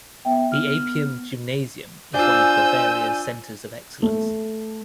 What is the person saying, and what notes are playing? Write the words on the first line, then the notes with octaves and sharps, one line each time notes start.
The Apian-Gymnasium is one of Bavaria's centres of excellence.
B3 E5 G5
F6
D4 F4 C5 G#5 E6 G6
A3